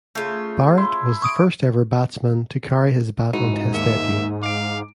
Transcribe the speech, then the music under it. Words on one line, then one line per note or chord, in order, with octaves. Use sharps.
Barrett was the first ever batsman to carry his bat on test debut.
C#3 A3 F4
E4 C6
C#6 D#6 D7
G#2 G#3 D#4 E4 F#4
D#2 A#3 E5 C#7
F5 D6 D7